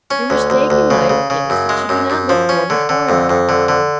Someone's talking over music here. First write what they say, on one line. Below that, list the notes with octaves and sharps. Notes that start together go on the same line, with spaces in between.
Your mistake in life is, that you do not look forward far enough.
C#4
D2
D2
D2
C#3
C#3
C#3
F#2
G#3
F#2
F#2
F3
C#4
D3
D3
F2
F2
D3
D3